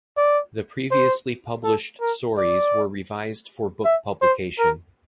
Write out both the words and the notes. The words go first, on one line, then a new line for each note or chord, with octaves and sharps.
The previously published stories were revised for book publication.
D5
C5
A4
A#4
D5
E5
C5
A#4